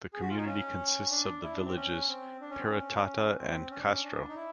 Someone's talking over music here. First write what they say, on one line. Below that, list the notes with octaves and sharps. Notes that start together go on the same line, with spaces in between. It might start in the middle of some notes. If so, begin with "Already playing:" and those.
The community consists of the villages Peratata and Kastro.
G#4
F#4
F4
D#4
C#4
D4
E4
D4
C4
C#4
C4
D4
C#4
C4
C#4
C4
C#4
D4
C#4
D4
D#4
E4